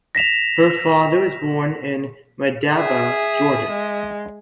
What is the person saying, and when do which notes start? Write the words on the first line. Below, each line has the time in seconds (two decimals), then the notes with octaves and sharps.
Her father was born in Madaba, Jordan.
0.15 A#6 B6 E7 F7
2.73 G#4 E5 D#6
3.69 G#3